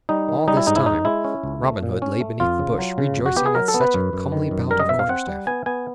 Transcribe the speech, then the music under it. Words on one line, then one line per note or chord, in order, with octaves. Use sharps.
All this time Robin Hood lay beneath the bush, rejoicing at such a comely bout of quarterstaff.
G3 D#4
D#3
G3 D#4
E4
G#2 D#4
E4
G#3 D#4
G#3 E4
C#4
C#2
A3
A#2
C#4
A3
F2 F4
C#3
F#3
C#3
F2
F#4
B3 G4
G#4
F#3 A#4
A4
B3
B4
F#2
F#2
D#3
F#2
G3 A#4
D#5
B2 E5
F5
C4 F#5
G3
B3 G#5
B3 G#5